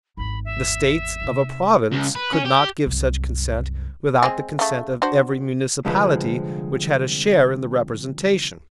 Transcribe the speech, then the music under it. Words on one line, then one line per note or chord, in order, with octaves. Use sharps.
The States of a province could not give such consent without the consent of every municipality which had a share in the representation.
G#1 E2 B5
E5
C3 D#3
C#2
B4
C#4
G4
C2 F#2
G#3 C4 G#4
C#3 A3
D4 F#4 C5
C2 F2 D3 F3 G#3 B4